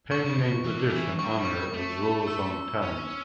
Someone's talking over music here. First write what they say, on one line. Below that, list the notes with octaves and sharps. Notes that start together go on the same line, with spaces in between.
Peng named the dish in honour of Zuo Zongtang.
D3 C#6
C#3
B2
E3
D3
E3
G3 C#6
F#3
G3
C#6
A3
E6
C#4